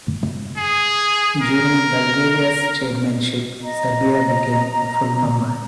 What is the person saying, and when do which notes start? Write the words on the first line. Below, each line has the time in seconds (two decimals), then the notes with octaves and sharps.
During Bulgaria's chairmanship, Serbia became a full member.
0.57 G#4
1.42 A#4
3.64 D#5 A#5